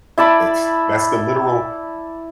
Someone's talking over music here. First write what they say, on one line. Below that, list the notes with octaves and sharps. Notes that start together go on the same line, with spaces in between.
It's that's the literal
E4 D5 A5 B5